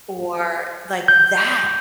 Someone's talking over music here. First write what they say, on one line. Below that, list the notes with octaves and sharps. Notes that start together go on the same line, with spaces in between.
or like that,
G6